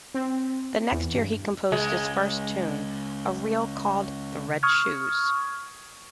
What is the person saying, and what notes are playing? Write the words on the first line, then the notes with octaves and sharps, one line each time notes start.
The next year he composed his first tune, a reel called "The Red Shoes".
C4
E2
G2
C#2 G#3
C#6 D#6 F6 G#6